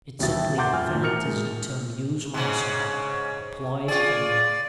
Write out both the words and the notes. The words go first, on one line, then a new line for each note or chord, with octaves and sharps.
It's simply a fantasy to amuse myself; a plaything!
D#1 D#2 B2 G3 E4 A6
E5 F#5 C6 D6 G6 A6
F2 G#5 F6
A2 F3
B2 A#4 F6 C#7 F7
G#3
G#2 C#3
F4 G#4 D5